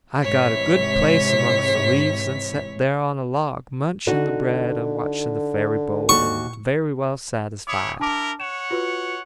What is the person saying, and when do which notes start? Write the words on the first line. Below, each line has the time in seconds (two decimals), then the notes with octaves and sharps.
I got a good place amongst the leaves, and set there on a log, munching the bread and watching the ferry-boat, and very well satisfied.
0.22 G#2 C3 E3 C#5 B6
4.07 D3 D#4 F#4
6.09 D#2 F#4 C#6
7.67 E4 C#5 D6 D#6
8.00 D4 E4 A#4 A5 D6
8.40 C#5 F#5 E7
8.71 F4 F#4 B4